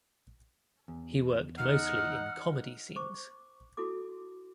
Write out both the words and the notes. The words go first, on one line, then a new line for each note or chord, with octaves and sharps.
He worked mostly in comedy scenes.
E2
D#4 F#5 F6
C5 C#6 D6
E4 F#4 A4 D6